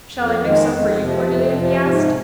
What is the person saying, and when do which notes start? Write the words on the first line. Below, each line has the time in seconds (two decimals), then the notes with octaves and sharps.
"Shall I mix some for you, Cornelia?" he asked.
0.13 F2
0.41 D#3 G#3
0.69 F2
0.98 C3 F3
1.26 F2
1.55 C3 F3
1.83 G#2